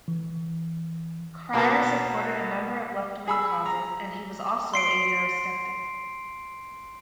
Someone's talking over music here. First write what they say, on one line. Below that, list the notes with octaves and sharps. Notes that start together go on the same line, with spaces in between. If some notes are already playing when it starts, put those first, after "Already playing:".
Cryer supported a number of left-wing causes and he was also a Eurosceptic.
E3
B2 A#3 B4 A5
G#4 B5 E6
A#5
C6 C7 D7